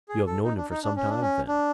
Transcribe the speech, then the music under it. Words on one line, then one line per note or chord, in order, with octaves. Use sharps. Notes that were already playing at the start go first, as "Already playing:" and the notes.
"You have known him for some time, then?"
G#4
A4
D#4
D4
D#4
D4
C#4
D4
C#4
D4